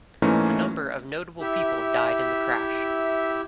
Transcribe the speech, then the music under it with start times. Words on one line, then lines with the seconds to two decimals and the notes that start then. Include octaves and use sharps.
A number of notable people died in the crash.
0.22 G#2 E3 A3 A#3 C#4 D#4
1.40 E4 G4 E5